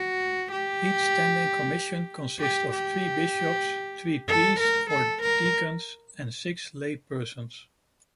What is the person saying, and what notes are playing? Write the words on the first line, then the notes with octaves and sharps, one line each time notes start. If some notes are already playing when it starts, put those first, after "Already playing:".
Each standing commission consists of three bishops, three priests or deacons, and six laypersons.
Already playing: F#4
G4
G4
G4
A4
A#4
A4
A#4